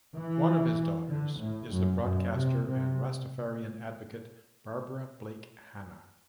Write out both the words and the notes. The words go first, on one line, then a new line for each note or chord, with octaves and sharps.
One of his daughters is the broadcaster and Rastafarian advocate Barbara Blake Hannah.
E3
D3
A2
F#2
F#2
C3
C3